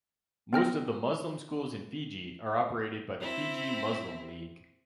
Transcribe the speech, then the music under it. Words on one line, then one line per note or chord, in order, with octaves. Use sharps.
Most of the Muslim schools in Fiji are operated by the Fiji Muslim League.
B3 G5 F6 A#6
C4 E4